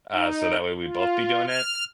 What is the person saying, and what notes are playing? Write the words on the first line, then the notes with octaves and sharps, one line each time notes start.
uh, so that way we'd both be doing it,
D#4
F4
F6